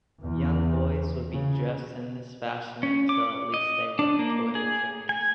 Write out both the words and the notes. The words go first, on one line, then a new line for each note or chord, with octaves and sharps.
Young boys would be dressed in this fashion until at least they were toilet-trained.
E2
C#3
C#4
D6
D#5
D4
A#3
G#4
G#5